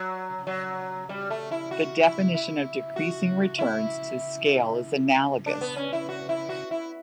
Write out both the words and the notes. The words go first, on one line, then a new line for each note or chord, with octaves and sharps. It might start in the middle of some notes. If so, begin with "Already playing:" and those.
The definition of decreasing returns to scale is analogous.
Already playing: F#3
F#3
G3
A3
E4
F#4
E4
E4
F#4
E4
D4
B3
C#4
E4
F#4
E4
F#4
E4